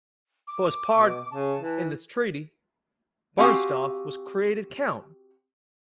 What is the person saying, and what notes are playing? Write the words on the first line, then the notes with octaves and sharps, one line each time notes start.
For his part in this treaty Bernstorff was created count.
D6
B2
C#3 A5
E3
C4 F#4 G4 F5 G#5